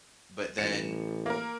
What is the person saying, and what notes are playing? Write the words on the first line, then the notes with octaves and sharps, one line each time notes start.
but then
A1 C#7
A#3 A#4